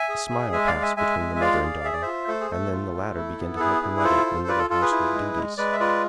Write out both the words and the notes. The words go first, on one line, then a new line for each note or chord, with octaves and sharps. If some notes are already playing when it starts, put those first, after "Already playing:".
A smile passed between the mother and daughter; and then the latter began to help her mother in little household duties.
Already playing: E5 G#5
G#4
G#4
G#3 E5 G#5
D5 F5
G#3
E5 G#5
G#3 E5 G#5
G#3
E5
F4 D5 F5
G#4
G#4 E5
D5
F4 C5 E5
A3 A4 C5
G#4
A3 A4
F4
A3
E4
B3
A4
E4 G#4 B4
E4
B4
F4 A4 C5
F4
F4 B4 D5
A4
F4 A4
G#4 B4
E4
G#3
G#3
G#3 B4 D5
E5
F4 B4 D5